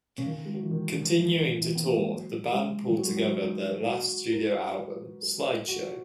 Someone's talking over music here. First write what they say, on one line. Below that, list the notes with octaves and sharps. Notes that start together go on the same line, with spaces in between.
Continuing to tour, the band pulled together their last studio album, "Slide Show".
C#3
D#3
G#3
F#3
E3
D#3
E3
E3
B3
A#3
G#3
F#3
G#3
F#3
G#3
F#3
D#4
F#4
A#4
B4
G#4
F#4